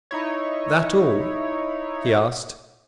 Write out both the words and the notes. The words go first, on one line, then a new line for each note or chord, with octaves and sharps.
"That all?" he asked.
D#4 E4 C#5